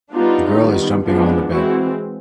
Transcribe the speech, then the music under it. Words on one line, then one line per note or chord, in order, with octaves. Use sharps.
A girl is jumping on the bed.
G3 B3 D4 D#4 F4
D#3 G3 B3
F3 G#3 B3 D4
E3 G#3 C4 E4 F#4